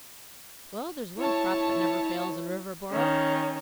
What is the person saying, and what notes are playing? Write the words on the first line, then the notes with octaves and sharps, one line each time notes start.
"Well, there's one crop that never fails in Riverboro!"
E4 C#5 A5
D#3 C#4